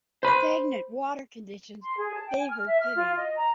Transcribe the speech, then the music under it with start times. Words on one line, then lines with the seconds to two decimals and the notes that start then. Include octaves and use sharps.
Stagnant water conditions favour pitting.
0.23 C5 B5
1.82 C6
1.98 G#4
2.13 A5
2.27 G5
2.38 G#5
2.50 F6
2.66 E5
2.81 F6
2.96 F4
3.17 D#5
3.36 A#5